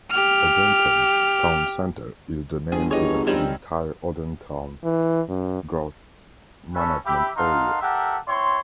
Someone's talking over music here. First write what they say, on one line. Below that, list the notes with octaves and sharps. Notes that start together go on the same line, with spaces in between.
Odenton Town Center is the name given to the entire Odenton Growth Management Area.
G4 F6
G1 G#4
E3 D#4 G4 G#4 B4 C#5
D#3 G3 C4 C#4 D#4 F#7
E3
F#2
C#4 A4 B4 E5 B5 C#6
G4 E5 B5
D#4 A4 A#4 F5 F#5 C6
G4 A4 A#4 E5 F#5
C4 E4 C#5 C6